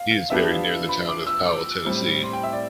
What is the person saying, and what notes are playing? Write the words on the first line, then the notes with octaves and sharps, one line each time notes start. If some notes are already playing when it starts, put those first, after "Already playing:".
He is buried near the town of Powell, Tennessee.
Already playing: F5
F5
F3 B3 D4 G4 E5
F5
B5
D6
E6
D6
A2 G3 C4 E4
C6
G5
E5
D5